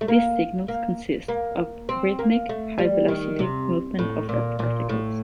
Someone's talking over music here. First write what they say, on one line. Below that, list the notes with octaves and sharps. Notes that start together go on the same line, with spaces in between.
These signals consist of rhythmic high-velocity movement of air particles.
A3
A#3
A#3
A#3
C4
A#3
A3
G3
D#3
C3
A2
A#2
A#2
A2